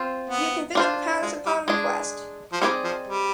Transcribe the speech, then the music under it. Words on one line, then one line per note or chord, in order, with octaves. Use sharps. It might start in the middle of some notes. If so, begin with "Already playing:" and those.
You can visit the palace upon request.
Already playing: C4 F4 C5
B3
D4 F4 C5
G#3
G3
G#3 D4 G#4
F3
G3 C4 D#4 G#4 B4 D5
F3
G3